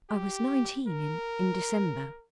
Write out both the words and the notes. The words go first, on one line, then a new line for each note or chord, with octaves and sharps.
"I was nineteen in--in December."
G4
A#4